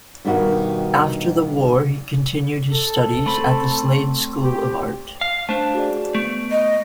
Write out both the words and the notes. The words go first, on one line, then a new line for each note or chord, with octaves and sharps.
After the war, he continued his studies at the Slade School of Art.
G2 B2 D#3 G3 D#4 F#4
A4
A3 C4 B5
G4
F5
A3 D4 C5 F5 A5
F#4 G#4 D5
A3 B3 C#6 D7
D#5